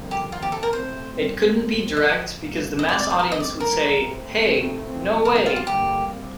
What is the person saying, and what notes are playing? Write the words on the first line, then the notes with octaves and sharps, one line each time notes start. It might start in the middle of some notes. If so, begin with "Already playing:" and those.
It couldn't be direct because the mass audience would say, Hey, no way.
Already playing: F2 D3 G3 A#3
G4
C3 D#3 A#3 F4
G4
A4
A#4
A2 A3 C4 C5
A#2 G3 C4
A2 G3 C4
F2 D3 F3 D#5
A2 G3 A#3
F2 C3 G3 C4 D#5
D5
D5
C5
D3 G3 C4 A#4
D#5
D5
D3 G3 A#3 A#4
A2 A3 C4
F2 C3 D#3 A3 C4
A#2 F3 C4
C3 G3 A#3 A#4
D#4
F4
F4
G2 D3 G3 A#3 G4
C3